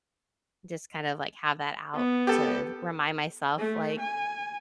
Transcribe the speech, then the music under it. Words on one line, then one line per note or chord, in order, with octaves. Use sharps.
just kinda, like, have that out to remind myself, like
B3
G4 A4
A3
G#5